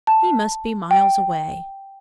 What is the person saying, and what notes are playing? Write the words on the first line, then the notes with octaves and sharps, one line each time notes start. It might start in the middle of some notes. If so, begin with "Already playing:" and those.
He must be miles away.
A5
G5